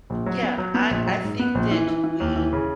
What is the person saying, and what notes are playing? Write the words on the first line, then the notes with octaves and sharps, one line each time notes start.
Yeah, I I think that we
A#1
F#3
B3
F#3
B3
A#1
F#3
G#2
B3
A#1
E3
E3
E3
D#2
E3
C#3